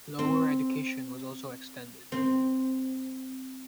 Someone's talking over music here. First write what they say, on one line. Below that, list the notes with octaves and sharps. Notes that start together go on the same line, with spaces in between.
Lower education was also extended.
C4
C4